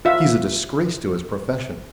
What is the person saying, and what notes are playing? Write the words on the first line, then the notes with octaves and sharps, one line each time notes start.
"He's a disgrace to his profession!"
F4 E5